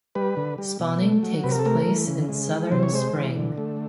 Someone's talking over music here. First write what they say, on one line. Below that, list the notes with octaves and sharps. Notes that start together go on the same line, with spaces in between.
Spawning takes place in southern spring.
G3 B4
D3
G3
B2
A3
F#3
C3 B4
A#4
A4
A3 A#4
E3
C#3
G#3
E3
C3 C5
C#5
G#3 C5
E3
D3
A3